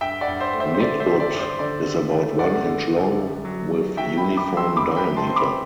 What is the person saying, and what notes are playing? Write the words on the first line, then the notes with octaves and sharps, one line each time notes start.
Midgut is about one inch long with uniform diameter.
G2 E5 G5
D5 F#5
G2
C5 E5
A3
C5 E5
C5
D3 D5
C5 E5
D3
D5
G2
C5
D3 D5
D3
A3
G2 D5 F#5
D3
D3
F#2
F#3
F#3
F#3 E5 G5
G5 B5
F#2
B5 D6
F#3
C6 E6
F#2 B5 D6
G5 B5
F#2
A5 C6
C4 C6
B5 D6